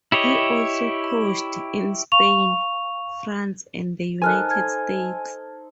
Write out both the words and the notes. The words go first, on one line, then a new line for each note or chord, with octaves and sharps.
He also coached in Spain, France, and the United States.
E4 G4 C#5 D#5
F5 C#6 F7
D#4 A4 A#4 C5 G#5 F6 F#6
F6 G#6